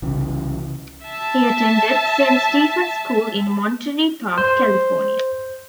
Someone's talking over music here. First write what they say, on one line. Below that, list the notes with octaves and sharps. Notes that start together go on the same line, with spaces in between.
He attended Saint Stephens School in Monterey Park, California.
C2 C#3 E3
E5 A5
C5